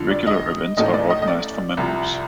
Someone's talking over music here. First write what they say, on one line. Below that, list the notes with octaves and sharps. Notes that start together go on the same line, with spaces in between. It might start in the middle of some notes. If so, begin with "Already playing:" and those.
Regular events are organised for members.
Already playing: F2 D3 F3
D5
D#5
A1 A2 A3 D#4 D#5
D5
D#5
D#5
D5
C2 C3 F3